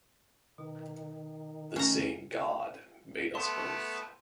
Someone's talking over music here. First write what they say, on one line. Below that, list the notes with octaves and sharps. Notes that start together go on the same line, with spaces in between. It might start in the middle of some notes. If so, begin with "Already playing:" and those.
The same god made us both.
B2 D#3
A3 C#4 A#4 A#5
A3 B3 A5 C6